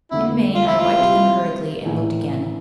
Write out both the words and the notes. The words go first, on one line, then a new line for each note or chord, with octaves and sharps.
In vain I wiped them hurriedly and looked again.
F2 D3 A3 E4
F4
E4
F4
C3 G3 C4 E4
A#1 A2 E3 A#3 E4